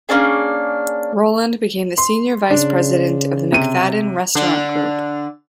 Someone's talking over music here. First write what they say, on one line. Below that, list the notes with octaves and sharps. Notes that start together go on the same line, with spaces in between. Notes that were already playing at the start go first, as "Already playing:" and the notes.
Roland became the senior vice president of the McFaddin restaurant group.
A#3 C#4 D4 G#4
C6
C#3 D4
C3 D#7
D3 D4